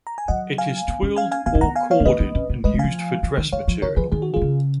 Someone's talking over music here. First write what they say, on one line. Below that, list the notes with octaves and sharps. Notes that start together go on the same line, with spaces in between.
It is twilled or corded and used for dress-material.
A#5
G#5
F#3 D#5 F#5
F5 G#5
B3
C#4
F5 G#5
F5 G#5
B3 F5 G#5
C#4
B3 F#5 A#5
F5 G#5
C#5 F5
B3
A#3 B4 D#5
B3
C#4
B3
G#3 B4 D#5
G#3
F3 F5 G#5
F3
D#3
F3 C#5 F5
F3
D#3 A#4 C#5
F3 G#4 B4
D#3 G#4
F#4
D#3 F4 G#4
C#3